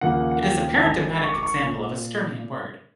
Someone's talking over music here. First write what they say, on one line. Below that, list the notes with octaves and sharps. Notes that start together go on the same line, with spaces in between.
It is a paradigmatic example of a Sturmian word.
D#2 C#3 F3 A#3 F#5
F#5
G5
A5
G#1 G#2 D#3 G#5
C#6
D6
C#6
A#2